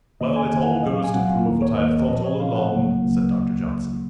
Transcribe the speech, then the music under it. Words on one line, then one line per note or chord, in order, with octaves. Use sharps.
"Well, it all goes to prove what I have thought all along," said Doctor Johnson.
F2 D#3 A#3 D#5
G#5
F2 D#3 A#3 G#5
F#5
F5
C2 A#2 F#3 C4 D#5
F5
G#5
C2 A#2 F#3 C4 F#5
F5
D#2 D#3 A#3 A#4
C#5
D#2 D#3 A#3 D#5
A#2 F3 C4 D#5
C#5
A#2 F3 C4 F5
F#5
C#2 C#3 F#3 A#3
C#2 C#3 F#3 A#3